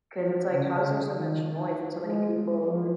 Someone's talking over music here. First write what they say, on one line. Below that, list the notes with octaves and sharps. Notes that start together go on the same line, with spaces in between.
'cause it's like, how is there so much noise and so many people,
F3
C#3
C#3
D#3
G#3
F3